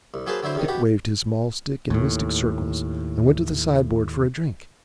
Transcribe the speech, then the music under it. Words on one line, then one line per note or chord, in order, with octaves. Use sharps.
Dick waved his mahl-stick in mystic circles and went to the sideboard for a drink.
C2
F#3 A#3 G#4 B4 C5 A5
D3 F#3 E4 C5 B5
E2 C3 D#3
B2 F#4 G4 B5
D#2 A2